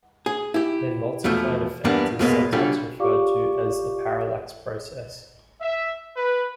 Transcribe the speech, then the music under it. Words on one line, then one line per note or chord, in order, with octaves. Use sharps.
The multiplane effect is sometimes referred to as a parallax process.
G#4
E4 G4
E2 B2 F3 A3
E2 G2 G3 A#3 B3 D4
C2 F#2 B2 G#3 A#3 B3
B2 D3 G3 C#4 F4 A4
F4 G4 D5 F5 C#6 D6
E5
B4